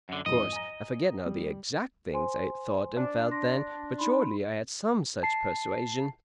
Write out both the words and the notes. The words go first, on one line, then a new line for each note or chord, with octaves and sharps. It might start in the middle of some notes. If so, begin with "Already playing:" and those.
Of course I forget now the exact things I thought and felt then, but surely I had some such persuasion.
F#2 D3
F2 G#2 E3 D#5
G#5 A#5 A#6
G3
C5 G#5 C6
D4
C6 A#6
D#4 B5 C6
A5 C7